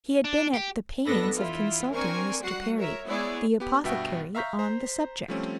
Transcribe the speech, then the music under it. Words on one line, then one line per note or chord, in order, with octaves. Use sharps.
He had been at the pains of consulting Mr. Perry, the apothecary, on the subject.
D4
G4
F2 B3 D4 A4 B4 A#6
E3 E4 F4
C4 D4 A#4 C5 G#5 C#6
G3 F#4 F#5 C7
A#4 C#5 E5
G#3 B3 E4 G#4 C#5 D5
B3 G4
G2 B2 B3 F#4 E5 G5
E5 F5 A#5 C#6 G6 B6
C5 A#5
F3 G3 A3 C4 C#4